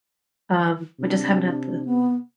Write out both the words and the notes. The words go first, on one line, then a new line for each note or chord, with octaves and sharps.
um, we just haven't had the
C3 D4
B3